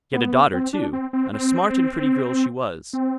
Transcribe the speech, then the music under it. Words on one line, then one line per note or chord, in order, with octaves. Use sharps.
He had a daughter too, and a smart and pretty girl she was.
B3
C4
D4
C4
C4
C4
C4